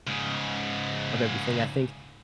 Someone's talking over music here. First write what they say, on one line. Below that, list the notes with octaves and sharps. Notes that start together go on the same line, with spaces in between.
of everything I think,
G#2 C#3